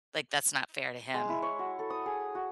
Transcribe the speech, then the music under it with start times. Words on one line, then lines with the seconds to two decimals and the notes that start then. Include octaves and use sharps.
like, that's not fair to him.
1.14 G#3
1.29 E4
1.42 C#5
1.59 F#4
1.79 A4
1.90 D#6
2.06 G#4
2.35 F#4